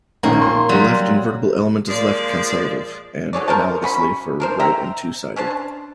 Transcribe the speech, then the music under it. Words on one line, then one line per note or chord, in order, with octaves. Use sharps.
A left-invertible element is left-cancellative, and analogously for right and two-sided.
A#1 D#3 A#3 C#4
C6
F#3 G3
F3 G#3 A#3 D5
B2 G#4 C#5 D5
A#4 C5 A5
F#3 C#4 B5
D4 A#4 C5
E5 G5 A#5
C#4 D4 C5 A5